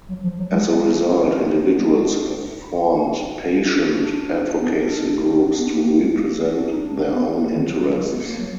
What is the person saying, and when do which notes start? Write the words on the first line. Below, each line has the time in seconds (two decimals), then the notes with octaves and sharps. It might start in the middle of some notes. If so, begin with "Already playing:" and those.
As a result, individuals have formed patient advocacy groups to represent their own interests.
0.09 F#3
0.23 F3
0.38 F#3
0.51 G#3
1.77 A#3
1.92 G#3
2.19 D4
4.03 D4
4.17 D4
4.30 D#4
4.46 D4
4.58 B3
4.87 D4
5.15 D#4
5.29 D#4
5.44 D4
5.58 B3
5.72 A#3
5.85 A#3
5.99 G#3
6.14 A#3
6.27 A#3
6.42 B3
6.56 D4
6.70 D#4
6.84 D4
7.12 B3
7.41 A#3
7.55 D#3
7.68 F#3
7.83 F#3
7.97 G#3
8.11 B3
8.25 A#3
8.39 F#3